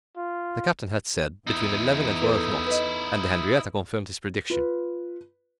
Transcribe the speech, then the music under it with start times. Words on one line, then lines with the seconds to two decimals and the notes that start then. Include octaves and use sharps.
The captain had said "between eleven and twelve knots," and the Henrietta confirmed his prediction.
0.17 F4
1.47 E2 E3 D#4 E4
2.22 A4 B4
2.67 B4 D#5
4.50 F4 B4